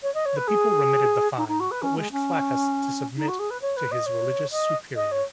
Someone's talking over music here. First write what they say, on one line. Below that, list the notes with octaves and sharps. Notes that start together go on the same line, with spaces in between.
The people remitted the fine but wished Flaccus to submit to his religious superior.
C#5
D#5
C#5
B4
G#4
D#4
D#4
F#4
B4
C#4
G#3
C#4
D#4
F#4
G#4
B4
C#5
B4
D#5
C#5
D#5
D#5
C#5